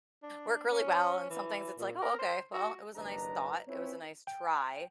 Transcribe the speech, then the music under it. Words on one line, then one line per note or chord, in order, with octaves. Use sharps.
work really well, and some things it's like, "Oh, okay, well, it was a nice thought, it was a nice try,"
D4
C#4
E3
A#2
A#4
C5
F#4
F#1 D#2 D4 B4 D#5 A#5
C4 C#4 E4 F4 B4 C#5
G5